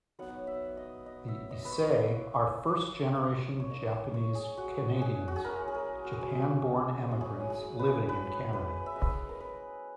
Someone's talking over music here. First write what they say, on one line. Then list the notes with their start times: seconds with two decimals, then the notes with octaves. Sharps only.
The "Issei" are first-generation Japanese-Canadians, Japan-born emigrants living in Canada.
0.19 F#3 B3 D#4 F#5
0.47 E5
0.77 D#5
1.06 D#5
1.28 E5
1.51 D#5
1.65 B4
1.72 C#5
1.93 A#3 E4
3.60 C#5
3.70 A#3 D#4 D#5
3.92 C#5
4.14 C#5
4.35 G#4
4.58 F#4
5.01 G#4
5.28 F#4
5.36 G#4
5.45 G#3 C#4 E4 A#4
5.68 G#4
5.74 A#4
6.04 F#4
6.13 G#4
6.21 F#4
7.11 F#4
7.20 F#3 C#4 E4 G#4
7.50 G#4
7.79 B4
8.09 B4
8.53 B4
8.86 E5
8.96 G#3 C#4 E4 D#5
9.29 A#4
9.40 B4